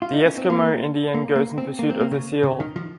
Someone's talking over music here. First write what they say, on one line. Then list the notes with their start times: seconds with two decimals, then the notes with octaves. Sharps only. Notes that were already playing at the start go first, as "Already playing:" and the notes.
The Eskimo Indian goes in pursuit of the seal.
0.02 F4
0.13 D#4
0.26 C#4
0.38 C4
0.50 A#3
1.14 A#3
1.36 A#3
1.58 C4
1.79 A#3
1.90 C4
2.01 A#3
2.11 C#3
2.43 C#3
2.60 D#3
2.76 F3